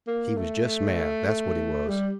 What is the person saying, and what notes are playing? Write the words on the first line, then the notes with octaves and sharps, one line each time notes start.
He was jest mad, that's what he was.
A#3
A3
A3
G3